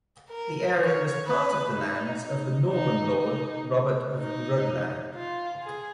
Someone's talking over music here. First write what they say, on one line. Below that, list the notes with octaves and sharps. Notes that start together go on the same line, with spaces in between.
The area was part of the lands of the Norman lord Robert of Rhuddlan.
A#4
C#5
B4
D#4
D#4
D#4
D#4
D#4
F4
G#4